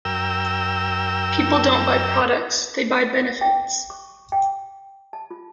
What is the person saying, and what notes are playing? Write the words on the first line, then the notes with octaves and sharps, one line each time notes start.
People don't buy products, they buy benefits.
F#2 A#4 G5 E6
G5
C#6
G5
A5
F4